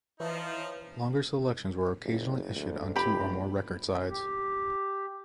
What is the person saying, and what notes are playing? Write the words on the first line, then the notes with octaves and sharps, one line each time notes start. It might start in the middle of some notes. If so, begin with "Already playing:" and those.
Longer selections were occasionally issued on two or more record sides.
E3 F3 D#4 B4 C#5 E5
F#1
D2
F1 G4 B5
G4